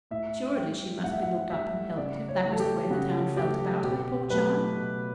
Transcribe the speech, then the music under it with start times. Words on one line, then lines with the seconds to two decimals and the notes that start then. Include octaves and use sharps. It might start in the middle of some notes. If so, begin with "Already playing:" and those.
Assuredly she must be looked up and helped if that was the way the town felt about her, poor child!
0.11 A2 E5
0.57 G3 G5
1.04 A2 F#5
1.13 E5
1.23 F#5
1.50 G3 E5
1.97 C#3 D5
2.28 C#5
2.44 E3 A3
2.53 A4
2.60 G4
2.90 C#3 F#4
3.37 E3 A3 G4
3.83 B2 G4
4.30 F#3 A3 B4
4.77 B2